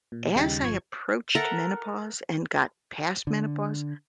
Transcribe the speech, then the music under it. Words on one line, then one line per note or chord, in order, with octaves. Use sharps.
as I approached menopause and got past menopause,
A#2
D#2 C#3 G3 D#4 G5 A6
G1 F3 C#6 G#6
A4 A#4 E5 F#5
D3